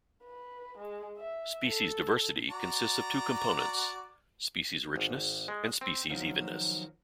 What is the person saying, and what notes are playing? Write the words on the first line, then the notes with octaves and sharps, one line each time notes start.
Species diversity consists of two components: species richness and species evenness.
B4
G#3
E5
A4
F#4 D5 A#5
G#1
G#3
C4
D#3 F3 F#3